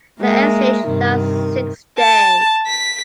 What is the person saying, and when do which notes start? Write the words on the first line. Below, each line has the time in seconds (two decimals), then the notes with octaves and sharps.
The egg stage lasts six days.
0.20 G#3 A#3 A#4 E5
0.87 G2 C3 D#3
1.98 A5
2.67 B6